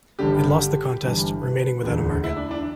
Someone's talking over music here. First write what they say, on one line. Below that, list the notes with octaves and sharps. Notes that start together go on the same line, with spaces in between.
It lost the contest, remaining without a market.
G1 G2 D3 G4
G4
G1 G2 E3
B4
E1 D2 D3
E4
D4
D4